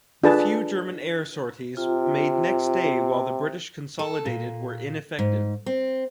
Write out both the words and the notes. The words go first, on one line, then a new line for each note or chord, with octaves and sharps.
The few German air sorties made next day while the British consolidated were ineffective.
D4 F4 G#4 A4 B4 A5
C3 F4
A4
A#2
G#2
C4